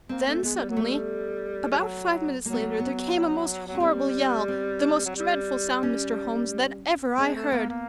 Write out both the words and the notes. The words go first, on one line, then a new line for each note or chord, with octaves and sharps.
Then suddenly, about five minutes later, there came a most horrible yell--the most dreadful sound, Mr. Holmes, that ever I heard.
A#3 C4
A3
G#3 B3
G3
F#3
A3
G3
G3
F#3
F#3 A#3
B3
A#3
B3
F#3
C#4
G3 C4
C4
F#3
G3
C#4
G#3 C4
A3
A#3 B3
A#3